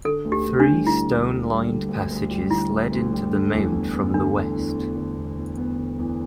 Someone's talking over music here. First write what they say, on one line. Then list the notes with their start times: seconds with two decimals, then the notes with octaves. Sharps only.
Three stone-lined passages lead into the mound from the west.
0.04 D3 A4
0.25 D2
0.32 G4
0.46 D2
0.60 D4
0.67 G3
0.86 D3 E4
1.07 D2
1.28 D2
1.49 G3
1.69 D3
1.89 D2
2.10 D2
2.30 G3
2.51 D3 E4
2.70 D2
2.92 D2
3.12 G3
3.33 D3
3.52 E2
3.73 E2
3.93 B3
4.14 D3 D4
4.34 E2
4.56 E2
4.76 B3
4.96 D3
5.17 E2
5.37 E2
5.57 B3
5.78 D3
5.99 E2